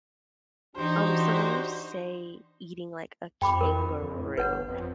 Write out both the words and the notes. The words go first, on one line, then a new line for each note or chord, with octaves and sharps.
Um, so when you say eating, like, a kangaroo,
E3 D4 D#4 F#4 G4 C5
F2 G5 B5 D6
A#4
F2
A2
G1 B4 C#5 F#5
F2